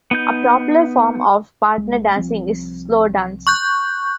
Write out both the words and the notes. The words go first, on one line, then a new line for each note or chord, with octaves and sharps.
A popular form of partner dancing is slow dance.
B3 D#4 G6
C2 G#3
C2 F3 C4
C#6 F#6 G6